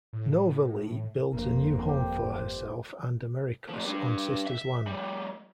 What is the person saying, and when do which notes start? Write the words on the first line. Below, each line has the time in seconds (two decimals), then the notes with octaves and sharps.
Novalee builds a new home for herself and Americus on Sister's land.
0.13 A2
1.33 G1 F2 A#3
1.86 G4 C5
3.69 F3 A3
3.85 G3 D4
4.47 E5
4.87 F3 G3